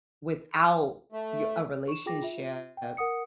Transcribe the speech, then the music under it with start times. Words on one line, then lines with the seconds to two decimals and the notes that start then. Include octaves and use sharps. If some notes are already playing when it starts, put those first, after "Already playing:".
without y a relationship
1.12 A3
1.88 C#6 E7
2.06 F4 G#4 G5 D6 A#6
2.22 F4 E5
2.77 G5
2.97 A#4 F#5 D#6 C#7